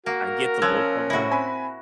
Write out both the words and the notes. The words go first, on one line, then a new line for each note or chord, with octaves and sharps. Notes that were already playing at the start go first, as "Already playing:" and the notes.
I get the look I want.
A#3 F#4 A#4
F3 C#4 E6 F#6 G#6
A2 E4 F#4 A#6
C4 G#5 B5